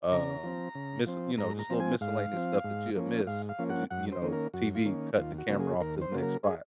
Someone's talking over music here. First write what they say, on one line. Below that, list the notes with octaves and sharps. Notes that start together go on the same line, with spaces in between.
Um, mis you know, just a little miscellaneous stuff that you have missed 'cause you you know, TV cut the camera off to the next spot.
C#3 A#5
F3 C4
C#3
F3 C4
G#2 A#5
A#5
F3 C4
G#5
G#2 F5
F3 C4
G#2
F3 A#3 C#4
G#2 F5
F5
F3 A#3 C#4
F#5
F#2 F#5
C5
D#3 A#3 C#4
A#4
F#2 F#4
F4
D#3 A#3 C#4
D#2 F4
F#4
C#3 F#3 A#3
G#4
D#2 A#4
C5
C#3 F#3 A#3
A#4
G#4